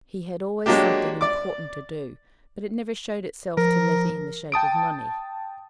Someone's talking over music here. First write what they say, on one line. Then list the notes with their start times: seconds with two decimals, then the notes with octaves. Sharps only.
He had always something important to do, but it never showed itself to Letty in the shape of money.
0.66 F#3 G#3 A#3 D4 G4
1.21 D5 D6
3.57 F3 A#4
4.52 G5 A5 D#6 D7